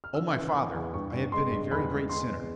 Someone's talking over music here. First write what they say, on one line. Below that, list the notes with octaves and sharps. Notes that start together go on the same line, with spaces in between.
"O my father, I have been a very great sinner!"
F6
C#3 E6
E3
E3
E2
G2 C#6
G2
G#3 C6
G2
E2 B5
G#3
G#3 C6
E2